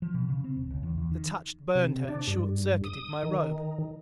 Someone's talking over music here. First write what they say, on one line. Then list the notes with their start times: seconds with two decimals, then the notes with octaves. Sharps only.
The touch burned her, and short-circuited my robe.
0.02 F3
0.14 B2
0.29 C#3
0.44 C4
0.56 E1
0.70 C#2
0.83 E2
0.98 E2
1.12 D#3
1.75 C3
2.08 D4
2.28 G2
2.84 D#6
3.23 D#3